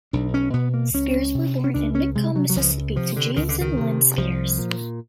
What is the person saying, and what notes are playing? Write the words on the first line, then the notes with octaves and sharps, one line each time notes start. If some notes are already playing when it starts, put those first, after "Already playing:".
Spears was born in McComb, Mississippi, to James and Lynne Spears.
B1 D4
C#4
B2 B3
A#3
C#2 C#4
C3
C#4
C#2 D4
C#4
C3 G#3
F#3
F#3
C#2 F3
C3 F3
D3
C#2 D#3
D3
D#3
C3
C2 F3
A#2